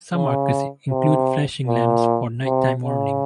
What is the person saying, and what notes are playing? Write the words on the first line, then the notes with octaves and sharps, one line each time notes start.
Some markers include flashing lamps for night-time warning.
C#3
C3
A#2
C3
C#3